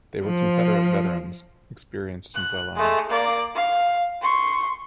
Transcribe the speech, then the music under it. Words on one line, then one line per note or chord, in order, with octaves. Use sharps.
They were Confederate veterans, experienced and well armed.
F3
F#6
G#3 A3
A#3 D5
F5
C6 C#6